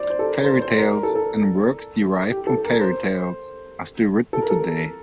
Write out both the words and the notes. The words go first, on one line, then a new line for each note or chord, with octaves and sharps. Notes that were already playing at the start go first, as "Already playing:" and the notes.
Fairy tales, and works derived from fairy tales, are still written today.
Already playing: C5 D5
C5
A4
A#4
C5
C5
A#4
A#4
A4
A4
G4
A4
A#4
C5
A4
A#4
A4